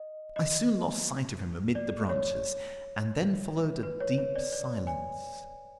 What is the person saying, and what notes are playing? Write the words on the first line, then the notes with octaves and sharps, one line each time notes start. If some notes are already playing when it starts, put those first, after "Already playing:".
I soon lost sight of him amid the branches, and then followed a deep silence.
Already playing: D#5
D#5
D5
C#5
B4
C#5
C#5
D5
D5
G#5